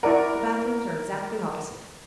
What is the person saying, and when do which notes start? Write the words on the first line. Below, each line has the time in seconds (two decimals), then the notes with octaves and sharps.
"The bathrooms are exactly opposite."
0.03 E4 A#4 D5 F#5